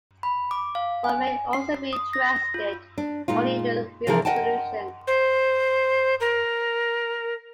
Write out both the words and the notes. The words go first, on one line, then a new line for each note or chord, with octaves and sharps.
One may also be interested only in the real solutions.
B5
D6
F5
G#5
C7
D#6
A#6
F4
D4
A#2 G#3 D#4 F4
C3 E3 F3 D4 G#4 A#4
A#4 D5 D#5 F#5 G5 A5
C5
A#4